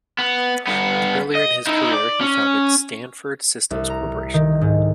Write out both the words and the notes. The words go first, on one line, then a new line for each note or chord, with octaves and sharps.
Earlier in his career, he founded Stanford Systems Corporation.
B3
G2 B3
D#5
D#4 E4
D5
C#4
C2
A#5
D#3
G#2